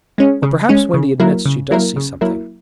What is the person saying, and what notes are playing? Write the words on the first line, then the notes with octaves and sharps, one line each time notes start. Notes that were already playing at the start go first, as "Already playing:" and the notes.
Or perhaps Wendy admits she does see something.
G#3 C#4
C#3
G#3 C#4
C#3
F#3 A#3 E4 A#4
C#3
F#3 A#3 E4 A#4
C#3
F#3 A#3 E4 A#4